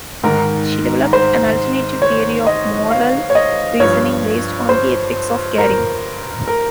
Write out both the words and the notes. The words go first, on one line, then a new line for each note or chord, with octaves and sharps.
She developed an alternative theory of moral reasoning based on the ethics of caring.
G#2 D#3 A#4
C5
C#5
D#5
F5
C#5
D#5
G2 F3 C#5
C5
A#4
A#4